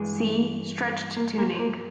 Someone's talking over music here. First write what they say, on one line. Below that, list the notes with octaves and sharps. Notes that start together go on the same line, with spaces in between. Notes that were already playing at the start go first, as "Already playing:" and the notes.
See: stretched tuning.
Already playing: G2 E3 G#3 G#4
A#3 A#4
A#3 A#4
C5
A#3 A#4